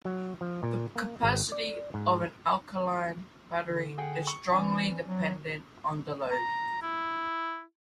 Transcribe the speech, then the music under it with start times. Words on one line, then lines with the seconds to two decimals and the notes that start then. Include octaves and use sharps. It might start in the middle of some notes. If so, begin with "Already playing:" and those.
The capacity of an alkaline battery is strongly dependent on the load.
0.05 F#3
0.41 F3
0.63 A#2
0.96 A#3
1.23 G#1
1.52 D5
1.94 G#2
3.65 D3
3.98 G#4 F#5 G5
4.27 C#6
4.52 E3 C4 D4 G#5
5.06 F#3
6.31 A#5
6.82 E4